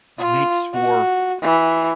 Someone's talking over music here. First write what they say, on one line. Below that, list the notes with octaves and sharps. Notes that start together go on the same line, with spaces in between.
makes for
F4
F#4
E3